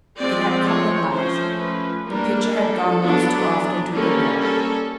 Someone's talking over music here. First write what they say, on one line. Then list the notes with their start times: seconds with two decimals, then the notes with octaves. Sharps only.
It had come at last--the pitcher had gone once too often to the well!
0.18 F3 G#3 C4 D5
0.65 C#5
1.11 F3 A3 C#4 C5
1.59 B4
2.06 G3 A#3 D4 A#4
2.52 A4
3.00 F#3 B3 D4
3.93 G3 A#3 C#4 A4
4.40 A4